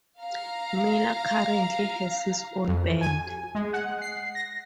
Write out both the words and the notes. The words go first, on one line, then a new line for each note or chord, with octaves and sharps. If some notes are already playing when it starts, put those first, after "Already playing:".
Miller currently has his own band.
F5 A#5
F2
G#5
G#3
F#5
C7
A#6